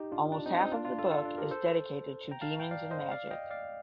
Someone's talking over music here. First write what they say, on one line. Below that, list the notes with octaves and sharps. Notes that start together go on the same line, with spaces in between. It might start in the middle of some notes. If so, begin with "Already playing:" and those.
Almost half of the book is dedicated to demons and magic.
Already playing: D#4 G4
D4 F4
D4
C4 D#4
C4 D#4
D4 F4
D4 F4
F4 A4
F4 A4
D4
G4 A#4
A4 C5
G5 A#5
F5 A5
G5
D5 F5
C5 D#5
D5 F5
D#5 G5
D5 F5